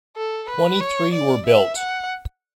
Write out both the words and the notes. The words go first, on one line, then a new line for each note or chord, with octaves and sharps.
Twenty-three were built.
A4
B4
C#5
D5
E5
F#5